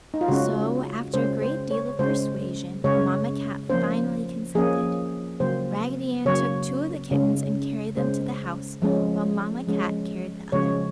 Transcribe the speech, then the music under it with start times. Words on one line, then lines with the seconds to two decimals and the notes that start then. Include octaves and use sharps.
So after a great deal of persuasion, Mamma Cat finally consented. Raggedy Ann took two of the kittens and carried them to the house while Mamma Cat carried the other.
0.14 D#4
0.21 F4
0.28 C#3 G#3 C#4 F#4
1.14 C#3 G#3 C#4 C5
1.42 C5
1.71 C#5
1.99 C#3 G#3 C#4 C5
2.84 C#3 G#3 C#4 C#5
3.70 F3 A#3 C#4 C5
4.55 F3 A#3 C#4 G#4
5.40 C#3 F#3 A#3 C5
6.26 C#3 F#3 A#3 C#5
7.11 C#3 G#3 C#4
7.97 C#3 G#3 C#4 C5
8.82 F3 G#3 C#4
9.67 F3 G#3 C#4
10.52 C#3 F3 G#3 C#4 C#5